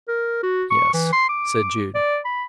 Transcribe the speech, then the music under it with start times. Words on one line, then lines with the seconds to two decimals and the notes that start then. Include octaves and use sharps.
"Yes," said Jude.
0.08 A#4
0.43 F#4
0.71 C#6
0.94 E3
1.13 C6
1.29 D6
1.95 D5
2.25 B5